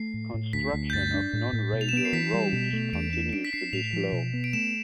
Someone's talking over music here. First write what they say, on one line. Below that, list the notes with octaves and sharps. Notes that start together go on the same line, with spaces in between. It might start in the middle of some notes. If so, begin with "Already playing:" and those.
Construction of non-radial roads continues to be slow.
Already playing: A3 C7
A2
A2
D2 B6
D2
G6
G2 A6
D4
A2
A2
B2
F7
E7
B3 D7
C7
E3 B6
G3
B2
A3
E2 D7
D4 E7
D4 D7
B6
D4 C7
A2 F7
F3
B2
B3
D7
A3 E7